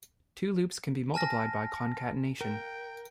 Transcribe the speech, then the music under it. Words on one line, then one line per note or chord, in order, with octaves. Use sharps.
Two loops can be multiplied by concatenation.
G#5 A5 F6 A#6
A#4 G5